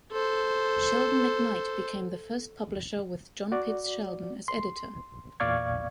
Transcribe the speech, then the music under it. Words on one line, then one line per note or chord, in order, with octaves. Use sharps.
Sheldon McKnight became the first publisher with John Pitts Sheldon as editor.
A4 C5
F#4 D5
C6
E2 A#2 D5 F5 C#6 G#6